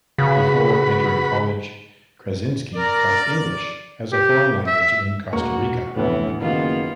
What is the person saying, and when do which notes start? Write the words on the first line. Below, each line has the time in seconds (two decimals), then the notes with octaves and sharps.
Before entering college, Krasinski taught English as a foreign language in Costa Rica.
0.18 C#3 F#4 B4 B5
2.75 A#4 D5
4.13 G4
4.67 E5
5.33 E1 A#3 F#4 C#6
5.96 F1 D2 A2 E3 B3
6.41 F#1 D#3 A#3 B3 F4